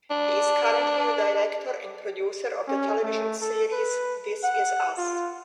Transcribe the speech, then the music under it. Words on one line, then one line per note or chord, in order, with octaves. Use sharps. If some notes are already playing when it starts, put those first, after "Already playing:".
He is currently a director and producer of the television series "This Is Us".
D4
C#4
A3
A4
B4
F#5
F4